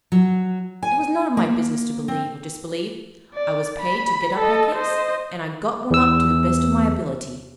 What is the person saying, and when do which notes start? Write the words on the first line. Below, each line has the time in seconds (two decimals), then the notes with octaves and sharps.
It was none of my business to believe or disbelieve: I was paid to get up a case, and I got one up to the best of my ability.
0.12 F#3
0.83 G#5
1.37 A#3
2.08 C4
3.34 D5
3.80 B5
4.38 A4 D#5
4.76 C5 D#5
5.91 E2 E6